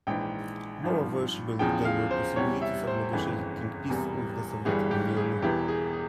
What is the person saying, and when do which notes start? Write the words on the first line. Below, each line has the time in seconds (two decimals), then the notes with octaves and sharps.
Moreover, she believed there were possibilities of negotiating peace with the Soviet Union.
0.07 A#1 G#2 E3 G5
0.83 G#1 G2 F3
1.59 E2 C#3 F3 G5
1.85 F5
2.11 C5
2.36 E2 C3 G3 C#5
2.61 E5
2.87 C5
3.13 G1 F2 C#3 E3
3.89 E1 E2 C3 E3 G3
4.65 G1 G2 E3 G3 G#4
4.91 G4
5.17 G#4
5.42 E1 E2 E3 G4
5.68 G#4
5.93 G#4